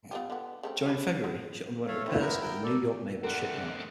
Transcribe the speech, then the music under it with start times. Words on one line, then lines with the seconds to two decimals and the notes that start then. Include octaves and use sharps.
During February, she underwent repairs at the New York Naval Shipyard.
0.11 B3 F4 G4
0.30 D3 B3
0.63 C#3 A3 C4
0.86 G4 C#5 B5
1.24 B3
1.88 A3 A4 C#5 F5
2.07 C4 E4 F4
2.20 B3 E4 A#4
2.41 A#4 G5
2.63 A4 A#4 D5
3.24 D3 A3 C4 A#4 F#5